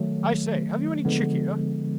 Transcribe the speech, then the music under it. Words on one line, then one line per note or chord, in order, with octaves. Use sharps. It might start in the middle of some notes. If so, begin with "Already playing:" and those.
I say, have you any chikhir?
Already playing: D#3 F#3 A3
D3 F3 G#3 B3